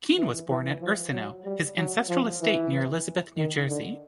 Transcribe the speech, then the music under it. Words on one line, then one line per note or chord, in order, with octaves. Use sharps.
Kean was born at "Ursino", his ancestral estate near Elizabeth, New Jersey.
E3
E3
F3
F#3
G3
F#3
F3
E3
D#3
D3